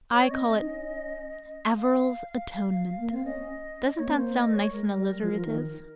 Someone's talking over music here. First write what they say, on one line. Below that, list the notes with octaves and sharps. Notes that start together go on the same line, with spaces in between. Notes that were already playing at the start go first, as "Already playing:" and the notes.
I call it AVERIL'S ATONEMENT. Doesn't that sound nice and alliterative?
C#5
C4 D#5
D#4
C#4
F5
A#3
C4 F5
C#4 D#5
D#5
A#3 C#5
C4
A#3 C5
D#5
C#5
G#3 A#4
G3
F3
F3
D#3